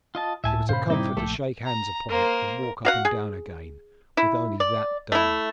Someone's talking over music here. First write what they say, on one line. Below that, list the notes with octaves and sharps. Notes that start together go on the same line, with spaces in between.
It was a comfort to shake hands upon it, and walk up and down again, with only that done.
F4 D#5 A5
C#2 A2 E5 G#5 A5
G2 A#2 C#3 C5 F5 B5
G3 C4 D#4 E4 G5 D6
A#1 A3 A4
A#5
A#3 A#4 C5
F#4 F5 F#5
G#4
E4
D5
A3 E4